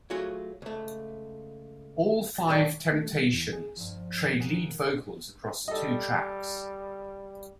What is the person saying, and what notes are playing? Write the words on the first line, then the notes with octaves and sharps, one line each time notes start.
All five Temptations trade lead vocals across the two tracks.
F#3 A3 F4 F#4 G#4
C#2 A3
A2 D3 F#3 D4
A3
G3
E2
G#4
G2 F3
A#3 G4 G#4 F#5 G#5
G3 A4 D#5